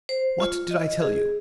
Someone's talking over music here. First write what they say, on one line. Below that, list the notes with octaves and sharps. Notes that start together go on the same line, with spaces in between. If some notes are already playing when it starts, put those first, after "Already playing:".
"What did I tell you?"
C5
F4
D#5
G#4